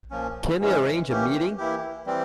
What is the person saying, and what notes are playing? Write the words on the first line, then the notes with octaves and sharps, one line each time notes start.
Can we arrange a meeting?
A#2 F3 A#3 C#4
G#2 E3 G#3 C#4
E3 A#3 C#4 G4
E3 A#3 E4 G4
E3 G3 C4